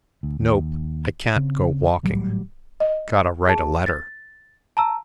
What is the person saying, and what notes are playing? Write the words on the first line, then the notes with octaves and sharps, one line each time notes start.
"Nope, I can't go walking; gotta write a letter."
D2
D#2
C#3 C4
G#1 A2 F#3 G3
D#5
G#4 A5
A6
A5 A#5 E6